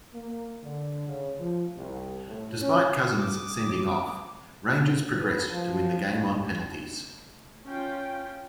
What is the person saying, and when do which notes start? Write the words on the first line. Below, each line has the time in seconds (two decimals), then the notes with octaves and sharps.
Despite Cousin's sending off, Rangers progressed to win the game on penalties.
0.14 A#3
0.63 D3
1.07 C#3
1.39 F3
1.77 C2
2.28 A2
2.61 C#4
3.14 D6 D#6
5.15 B4
5.50 F3
6.10 D#2
7.67 C#4 F4 G5